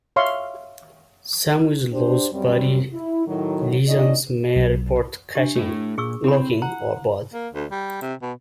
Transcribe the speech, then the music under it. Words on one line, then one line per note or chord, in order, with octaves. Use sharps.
Some with loose body lesions may report catching, locking, or both.
C#5 E5 F5 C6 C#6
D4 G4 C5
F#2 G3 C4
E4
A2 D#3 F#3
A#2 D#3 C#4 D4 D5 D#5
B1
D4 G4
A3 E4
A#2 G#4 C#6 E6
C4 E4 B5
F#5 A#5
A#3
D2
G3
C3
B2